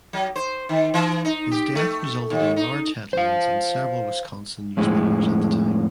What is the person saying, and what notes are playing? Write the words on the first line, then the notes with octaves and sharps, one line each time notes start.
His death resulted in large headlines in several Wisconsin newspapers at the time.
F#3
C5
D#3
E3
D#4
G4
A3
D#2
D#4
C5 F5
F2 A2 G#3